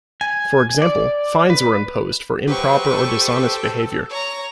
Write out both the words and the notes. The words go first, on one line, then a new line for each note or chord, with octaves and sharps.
For example, fines were imposed for improper or dishonest behaviour.
G#5
D5
B4
F#3 G4 B4 C5 G5 C#6
A4
C#5 A#5